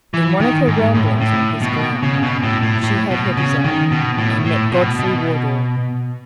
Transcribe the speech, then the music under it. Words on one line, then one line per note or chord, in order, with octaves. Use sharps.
In one of her rambles on his ground she had her desire, and met Godfrey Wardour.
E3
D#3
G#2
A2
A2
B2
C#3
B2
A2
A2
A2
B2
C#3
D#3
B2
A2
A2
B2
B2